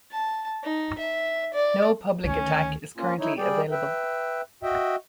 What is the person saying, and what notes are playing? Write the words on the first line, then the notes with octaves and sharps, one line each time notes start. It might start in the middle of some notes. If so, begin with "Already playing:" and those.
No public attack is currently available.
A5
D#4
E5
D5
D2 D#3 C#4
A#3 C#4 F4
D#4 E4 C#5
G3 G#4 D5 G5
B4 E5 G5
F#4 D#5 E5 G5